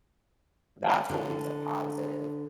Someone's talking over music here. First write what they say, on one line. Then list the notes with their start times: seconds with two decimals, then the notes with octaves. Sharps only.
that's always a positive.
1.10 D3